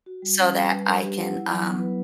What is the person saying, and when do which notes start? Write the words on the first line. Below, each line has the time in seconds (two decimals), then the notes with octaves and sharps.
so that I can, um
0.06 F#4
0.22 G3
0.38 C#4
0.54 G3
0.70 B4
0.85 D4
1.01 G4
1.17 F#5
1.33 E4
1.48 F#3
1.64 B3
1.80 B4